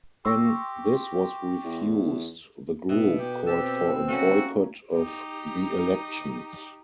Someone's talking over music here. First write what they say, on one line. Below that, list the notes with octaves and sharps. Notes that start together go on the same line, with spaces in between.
When this was refused, the group called for a boycott of the elections.
G4 C6 C#6 E6 A#6
E2
B2 E5
G4
C4 G4 A5 E6
A3 A#3 C#4 F#4
D#4 G4